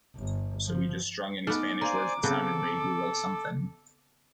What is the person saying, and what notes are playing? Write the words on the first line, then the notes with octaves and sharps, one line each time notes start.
So we just strung any Spanish words that sounded vaguely like something.
G1
F3
A3 B3 D#4 D#5 D6
A#3 C5 D5 G#5 A#5
C#3 B3 C4 A4